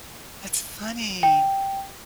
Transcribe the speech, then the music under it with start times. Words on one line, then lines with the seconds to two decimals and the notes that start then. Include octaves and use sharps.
That's funny.
1.23 G5